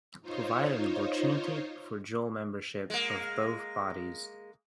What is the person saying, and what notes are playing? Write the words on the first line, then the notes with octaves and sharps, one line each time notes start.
Provide an opportunity for dual membership of both bodies.
D#4 F4 C5 C#5
G#3 A#3